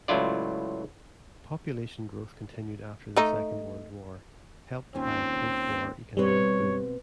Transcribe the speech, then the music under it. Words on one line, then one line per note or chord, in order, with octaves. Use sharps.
Population growth continued after the Second World War, helped by a post-war economic boom.
C#2 A2 F#3 E4 F4 D5
A3 D#4
D#2 C4 C#4 F4
B2 G3 C4 B4 C#5